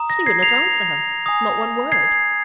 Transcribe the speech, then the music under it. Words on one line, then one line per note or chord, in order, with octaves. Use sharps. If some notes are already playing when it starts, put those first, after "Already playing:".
She would not answer her--not one word.
Already playing: A#5 D#6
A#6
G#6 C7
C7 F7
G#5 D#6
G#6 C7